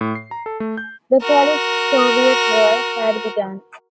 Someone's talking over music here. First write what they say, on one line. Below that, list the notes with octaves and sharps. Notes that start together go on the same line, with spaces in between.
The Polish-Soviet War had begun.
A2
C7
A#5
A4
A3
G6
F#4 A#4